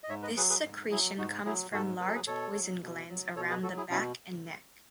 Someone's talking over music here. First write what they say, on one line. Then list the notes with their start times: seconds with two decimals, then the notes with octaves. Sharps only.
This secretion comes from large poison glands around the back and neck.
0.04 D#5
0.09 G#2 C#5 E5
0.22 B4 D#5
0.37 F#3 G#4 B4
0.50 G#4 B4
0.64 G#2
0.91 F#3 E4 G#4
1.18 G#2 D#4 F#4
1.45 F#3 E4 G#4
1.72 G#2 F#4 A4
2.00 F#3 B4
2.08 A4
2.15 G#4 B4
2.27 B2 A4 C#5
2.55 F#3
2.82 B2
3.09 F#3
3.36 B2 A4 C#5
3.50 G#4 B4
3.63 F#3 F#4 A4
3.77 E4 G#4
3.91 B2 C#4 E4